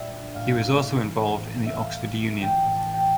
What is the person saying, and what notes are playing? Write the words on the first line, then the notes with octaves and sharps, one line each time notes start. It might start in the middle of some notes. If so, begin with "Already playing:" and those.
He was also involved in the Oxford Union.
Already playing: A#2 G3 F4 D5 E5
D4
A2 F5
A#3
E4
E3
A2
A#3
E5
A2 F5
A3
E4
E3 G5
A5
A2
A5
A3
G5